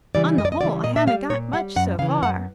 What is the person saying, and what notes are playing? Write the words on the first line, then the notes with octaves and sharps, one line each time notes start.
"On the whole, I haven't got much so far."
C#3 E3 G3 D5
F#2 D#5
D5
D#5
C#3 E3 G3 D5
A#2 D#5
E5
G3 F5
A#2 C#5
G3 F#5
F#2 F#5
C#3 E3 F5
F#2 F#5